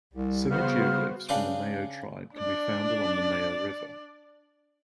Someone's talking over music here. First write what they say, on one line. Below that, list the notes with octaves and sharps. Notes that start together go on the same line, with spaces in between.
Several geoglyphs from the Mayo tribe can be found along the Mayo River.
C2 G3
C#3 B3 F#4 C5 F6
C#3 D4 B4 F5 G5 D6
D4 D5